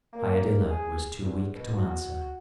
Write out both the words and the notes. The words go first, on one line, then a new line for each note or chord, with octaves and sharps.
Iadilla was too weak to answer.
A#3
G#4
E2
B2
F#4